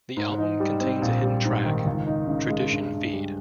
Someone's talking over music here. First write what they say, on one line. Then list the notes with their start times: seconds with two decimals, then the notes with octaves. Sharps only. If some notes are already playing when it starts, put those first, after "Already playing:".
The album contains a hidden track, "Tradition Feed".
0.17 G#2
0.38 D#4
0.60 G3
0.81 C4
1.02 A#1
1.23 G3
1.44 G#2
1.66 D#3
1.86 C#2
2.07 D#4
2.28 C#3
2.49 G#3
2.70 G2
2.92 G2
3.13 G3